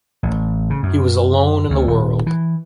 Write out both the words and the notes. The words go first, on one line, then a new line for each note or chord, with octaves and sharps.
He was alone in the world.
A1
C#3
F#2
D2
D#1
E3